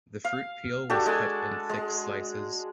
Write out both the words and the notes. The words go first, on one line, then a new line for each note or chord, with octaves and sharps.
The fruit peel was cut in thick slices.
F5
D4 F#4 G4 A4
G#3 A4 G#5
G#3